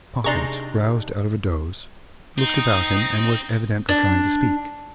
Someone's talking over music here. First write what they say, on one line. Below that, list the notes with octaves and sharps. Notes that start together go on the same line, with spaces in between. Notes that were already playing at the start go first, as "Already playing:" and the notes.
Hawkins roused out of a doze, looked about him and was evidently trying to speak.
C3 D4 D#4 G#4 D5 A#5 C6 C#6
C4 D#4 D#5
D4